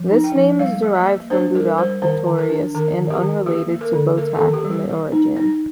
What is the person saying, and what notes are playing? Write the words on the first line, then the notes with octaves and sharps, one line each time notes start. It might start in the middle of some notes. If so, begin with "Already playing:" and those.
This name is derived from "buadhach" "victorious" and unrelated to "botach" in origin.
Already playing: F3
D#4
G5
F3
G3 F5
A#3
D#5
A#3
D4 C5
G3 A#4
G3 C5
D#3 C5
D#3
A#4
D4
D#3 A#4
D#3
G4
D#3
A#3 G4
A#3
A#4
D3
A#3 A#4
A4
D#3
G4
G3
G4
A#3
D#4
D#4